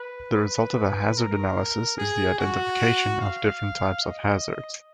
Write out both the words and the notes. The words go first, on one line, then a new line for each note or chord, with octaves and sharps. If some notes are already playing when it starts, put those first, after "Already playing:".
The result of a hazard analysis is the identification of different type of hazards.
Already playing: B4
B4
A#4
G#4
F#4
F5
D#5